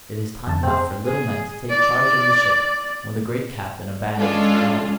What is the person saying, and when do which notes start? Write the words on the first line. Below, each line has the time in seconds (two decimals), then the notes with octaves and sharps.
It is time enough for little men to take charge of the Ship when the great Captain abandons the helm.
0.47 F2 A5
0.63 C4 G#4
1.05 G#4
1.70 D5
4.17 G#3 C#4 D4 F4 A4